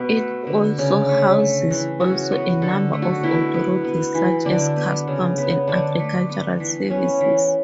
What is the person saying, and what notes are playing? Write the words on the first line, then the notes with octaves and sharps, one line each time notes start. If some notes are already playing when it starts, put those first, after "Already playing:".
It also houses also a number of authorities such as customs and agricultural services.
Already playing: B2 B3
A3
D3
C#3
A3
A3
E3
C#3 F#4
B3 F#4
D3 A4
A3
F#4
B2 E4
B3
B3
E3
D3 D4
B3
C#3
B3
D3 D4
A3
B3
E3
B3 C#4
E3